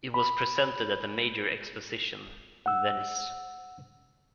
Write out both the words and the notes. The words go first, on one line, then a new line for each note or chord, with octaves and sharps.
It was presented at a major exposition in Venice.
B5
F#5 E6